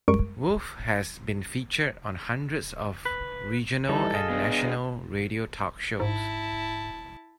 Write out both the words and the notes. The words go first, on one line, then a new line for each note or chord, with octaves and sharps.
Wolfe has been featured on hundreds of regional and national radio talk shows.
F#2 G3 G#3 A#4 C#6 D7
B4
E3 G3 D#4 A4
G#4 D#5 F5
B3 D4
G#2 E4 A5